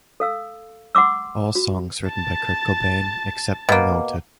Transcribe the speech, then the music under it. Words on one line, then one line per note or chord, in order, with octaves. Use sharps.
All songs written by Kurt Cobain, except where noted.
A4 F5 E6
F#5 C6 D6 E6
F#4
A5 A6
B2 A#3